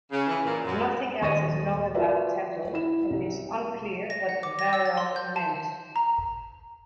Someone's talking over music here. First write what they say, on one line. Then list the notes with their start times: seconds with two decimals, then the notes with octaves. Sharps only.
Nothing else is known about the temple, and it is unclear what Varro meant.
0.12 C#3
0.27 E3
0.46 A#2
0.65 F#2
1.22 D#1 C#6 A6 A#6 D#7
1.94 F4 F#4 A#4 B4 D5 E5
2.74 E4 E7
3.10 C2
4.10 A#6
4.29 F#5
4.43 D6
4.59 A#6
4.73 E6
4.86 A6
4.97 C6
5.16 G6
5.36 A5
5.96 A#5